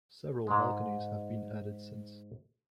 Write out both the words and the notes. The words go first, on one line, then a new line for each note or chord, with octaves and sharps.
Several balconies have been added since.
G#2 G#3